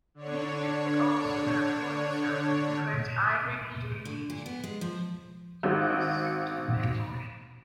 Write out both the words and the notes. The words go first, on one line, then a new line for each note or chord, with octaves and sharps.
Dmitry also had one son, Prince Ivan Dmitrievich Belsky.
D3 D4 C#5
D3
A#2
B3
G#3
F3
G#1 F#4